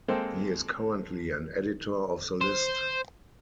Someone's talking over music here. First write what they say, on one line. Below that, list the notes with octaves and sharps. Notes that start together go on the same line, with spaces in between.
He is currently an editor of the list.
G#3 A#3 C4 A4 C5 G5
C5